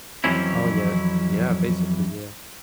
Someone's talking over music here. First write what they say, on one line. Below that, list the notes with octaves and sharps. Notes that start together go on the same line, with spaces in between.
Oh, yeah Yeah. Basically, yeah.
F2 E3 F#3 C4 C#4 E4